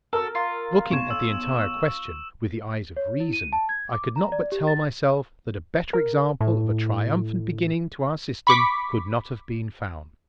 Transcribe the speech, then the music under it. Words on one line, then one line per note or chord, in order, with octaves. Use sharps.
Looking at the entire question with the eyes of reason, I could not but tell myself that a better example of a triumphant beginning to our system could not have been found.
F#4 A4 A#4 E6
F4
B1 C#6 G#6 E7
E6
C#5
E4
D#7
A5
G#6
D6
A#5
D5
G4
A6
A#4
A2
B5 C#6 D6 B6